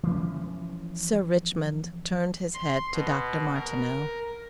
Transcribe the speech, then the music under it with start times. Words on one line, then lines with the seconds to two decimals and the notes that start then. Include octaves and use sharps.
Sir Richmond turned his head to Dr. Martineau.
0.03 E3 F3 A3 C#4
2.54 C6
2.92 B2
3.54 A#4